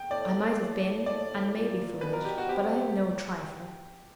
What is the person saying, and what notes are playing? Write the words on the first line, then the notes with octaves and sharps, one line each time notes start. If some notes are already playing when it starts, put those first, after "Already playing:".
I might have been and may be foolish; but I am no trifler.
Already playing: G5
A2 D5
A2
A2 D5
A#2
B2 B4
A#4
G4
F#4
C3 G4